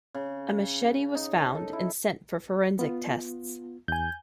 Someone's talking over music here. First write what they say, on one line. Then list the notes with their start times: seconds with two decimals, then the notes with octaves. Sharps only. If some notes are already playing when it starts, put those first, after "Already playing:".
A machete was found and sent for forensic tests.
0.14 C#3
1.15 D#4
1.55 A4
1.73 E4
2.79 B3 F4
3.88 E2 G#5 G6